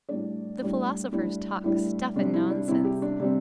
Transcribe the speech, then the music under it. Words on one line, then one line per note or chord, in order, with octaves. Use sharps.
The philosophers talk stuff and nonsense.
A2 G3 D4 D5
A2 G3 D4
A2 G3 D4 E4
A2 G3 D4 E4
C3 G3 C4 D4
E4
D4
C3 G3 C4 E4
G4
D4
C3 G3 C4